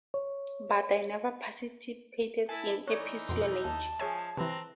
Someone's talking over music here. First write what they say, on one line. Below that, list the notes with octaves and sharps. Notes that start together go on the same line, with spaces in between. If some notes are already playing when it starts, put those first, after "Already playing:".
But I never participated in espionage.
C#5
E4 G#5 A5
E3 D#4 C#5 D5
F2 B2 C6
D#2 A5
F3 G#4 C#5 E5 G#5
C3 E3 C4 B4 A#5